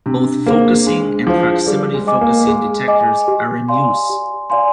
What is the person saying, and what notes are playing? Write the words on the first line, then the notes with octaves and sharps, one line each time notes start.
Both focusing and proximity-focusing detectors are in use.
C3 D4
A#3 G#4 C5 F5
G#3 D4
F3 G#4 C5 F5
G3 G#4
G#3
D#5 G#5 D6
A#3
G#3 G#4
D#5 G#5 D6
G4
D5 F5 G#5 C6
G4
D5 F5 G#5 C6